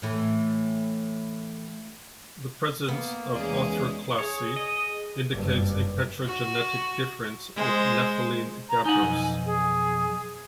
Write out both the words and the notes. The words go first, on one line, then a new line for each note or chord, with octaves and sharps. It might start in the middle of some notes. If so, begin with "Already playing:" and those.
The presence of orthoclase indicates a petrogenetic difference with nepheline gabbros.
A2 E3 A3
A#3 B3
E2 G#3 C#4 G#4 D5
G#4 C#5
D#5
F#1 G2
F#4
G#3 C5
A#5
D#4 F#5 G#5
B1 F2
G#4